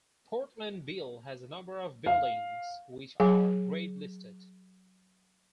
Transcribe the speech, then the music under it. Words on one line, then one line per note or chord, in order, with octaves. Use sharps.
Portland Bill has a number of buildings which are Grade Listed.
F5
F#3 G#4 F5 G#5